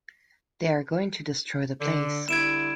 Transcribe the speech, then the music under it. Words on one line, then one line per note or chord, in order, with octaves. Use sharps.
They are going to destroy the place.
D3
D3 G3 E4 G#6 D7 E7